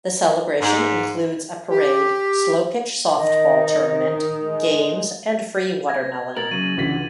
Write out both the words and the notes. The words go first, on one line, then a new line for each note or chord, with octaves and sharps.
The celebration includes a parade, slow pitch softball tournament, games and free watermelon.
G#2
G4
D#3 D#5
G#3
G#6 A#6
B2 A#4 A6 F#7
C#3 F#3 D#7
C#2 D3 E3 F#4 B6